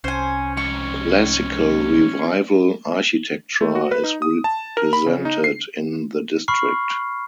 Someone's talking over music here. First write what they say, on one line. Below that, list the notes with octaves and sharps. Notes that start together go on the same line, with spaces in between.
Classical Revival architecture is represented in the district.
C2 C#4 C5 G#5
F2 G#2 C#6
A3
F#4
B4
D#4
D#6
A5
A#4
B5
C#3
D#4
C7
B5 C#6 F6 C7